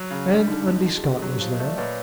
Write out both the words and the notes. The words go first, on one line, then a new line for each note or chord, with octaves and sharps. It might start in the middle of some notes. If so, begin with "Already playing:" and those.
And Undy Scott was there.
Already playing: F#3
C#3
G3 D4
D3 D#4
F2 E4
F2 F#4
G#4
D3 G4
F#3
F3
D#5
A3
D5
A#2 B4 C#5